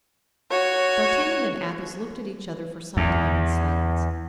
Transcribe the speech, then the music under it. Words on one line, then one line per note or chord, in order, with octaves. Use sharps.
D'Artagnan and Athos looked at each other for some time in silence.
F#4 C#5
E2